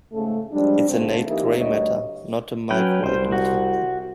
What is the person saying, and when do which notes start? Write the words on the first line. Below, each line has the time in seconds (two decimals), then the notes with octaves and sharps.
It's a Nate Gray matter, not a Mike White matter.
0.12 G#2 C#3 A3
0.52 F3 G3 G#3 D4
0.88 G#2 C#3 A3 C4
1.26 E3 A#3 D#4 E4 G4
1.57 D2 G2 C#5 D#5
2.71 F#3 C#4 B4 G5
3.04 C2 C5
3.32 F#4